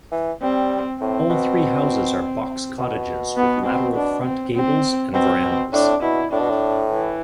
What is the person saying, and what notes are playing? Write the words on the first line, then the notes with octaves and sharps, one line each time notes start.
All three houses are box cottages, with lateral front gables and verandahs.
E3
G3 C4
A2 C4
B2
B2
B3
C4
D4
C4
C4
B2 C4
B2
A2 D4
B2 E4
A2 D4
B2
A2
E3